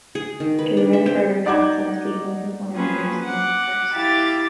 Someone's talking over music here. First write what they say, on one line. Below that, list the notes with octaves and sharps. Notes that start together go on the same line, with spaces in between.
To prevent further attacks on his people, he finally agrees to lift the curse.
G#4
D#3
B4
D4
E5
C4
D#4 D5 F#5 D6 G6 G#6
F3 A#3 C4 C#4 G#4 B4
F#5 D6
E4 G4 E5 F5 D6 A6